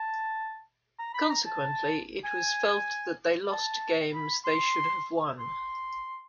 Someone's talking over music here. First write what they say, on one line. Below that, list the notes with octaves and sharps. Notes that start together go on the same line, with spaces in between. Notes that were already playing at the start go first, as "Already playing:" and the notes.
Consequently, it was felt that they lost games they should have won.
Already playing: A5
A#5
B5
A#5
A5
G#5
A5
B5
C6
C6